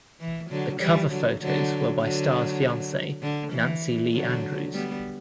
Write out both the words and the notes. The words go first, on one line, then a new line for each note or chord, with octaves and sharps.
The cover photos were by Starr's fiancee, Nancy Lee Andrews.
E3
D3 F#3
E3 G3
D3 F#3
D3 F#3
D3 F#3
D3
E3
D3 F#3
G3 B3